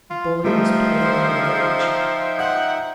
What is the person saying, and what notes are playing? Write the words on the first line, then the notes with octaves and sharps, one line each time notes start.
The bully was plainly in a rage.
F4
F3 G3 A3 D#4 E5 G5
C5
C5
F#5 G6